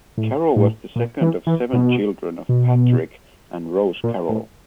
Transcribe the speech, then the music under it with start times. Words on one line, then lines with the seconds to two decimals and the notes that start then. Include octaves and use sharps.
Carroll was the second of seven children of Patrick and Rose Carroll.
0.18 A2
0.56 A2
0.96 A#2
1.21 E3
1.47 E3
1.73 B2
2.49 B2
4.04 A#2
4.29 A2